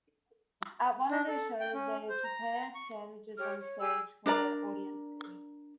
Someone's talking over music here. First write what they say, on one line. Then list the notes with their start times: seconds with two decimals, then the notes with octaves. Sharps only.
At one of their shows they prepared sandwiches onstage for the audience to eat.
1.10 D4
1.28 A4
1.60 G5
1.74 C#4
2.10 C5
2.24 A#5
2.75 C#6
3.37 G4 C#5 F6
3.60 C#5
3.80 G4 G#4 G#5 E6
4.26 D4 A#4 D5 A#5